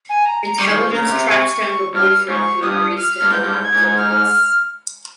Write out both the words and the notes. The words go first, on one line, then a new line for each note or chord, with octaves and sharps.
Intelligence tracks down the boyfriend who agrees to help the police.
G#5
A#5
A#5
G3 C#6
D#3
F3
C#3 A#5
C#3
C3
C#6
G2 F6
G#2 C#6
G2 D#6
F6
G2
G#2 G6
G2
G#2
G#6
G#2
F6